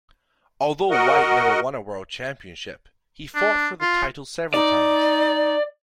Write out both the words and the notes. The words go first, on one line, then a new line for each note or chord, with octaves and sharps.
Although White never won a world championship, he fought for the title several times.
F#4 A#4 D#5 F#5
D4
F4
D#4 D5